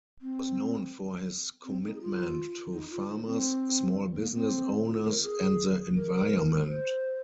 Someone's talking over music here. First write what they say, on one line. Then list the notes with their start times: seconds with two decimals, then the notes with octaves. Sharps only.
He was known for his commitment to farmers, small business owners, and the environment.
0.21 C4
1.65 C4
1.83 D#4
1.96 G#4
2.01 F4
2.73 D#4
2.91 F4
3.08 D#4
3.26 C4
4.15 A#3
4.34 C4
4.87 F4
5.05 A#4
5.23 G#4
5.95 A#4
6.68 C5